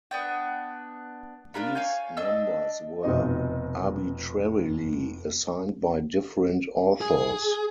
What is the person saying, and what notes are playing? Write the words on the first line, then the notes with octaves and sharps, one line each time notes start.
These numbers were arbitrarily assigned by different authors.
B3 D4 G5
D4 F4 A#4 B5
C#5 F5 G#5 G6
D4 D#5 E6
F1 B2 C4 D#4 D#5
G#4